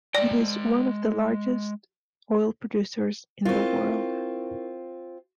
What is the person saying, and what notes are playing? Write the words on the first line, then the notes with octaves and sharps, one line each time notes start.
It is one of the larges oil producers in the world.
G#3 D5 G5
C4 E4 F4 A#4 C#6